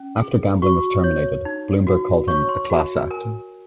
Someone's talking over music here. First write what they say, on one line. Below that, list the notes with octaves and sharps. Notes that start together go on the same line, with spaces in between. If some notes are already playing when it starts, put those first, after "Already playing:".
After Gambling was terminated, Bloomberg called him "a class act".
Already playing: C#4
G#4
F#4 C#6
C#5
D#4
F#4
C#5 C#6
C6
F#4
A#4 G#5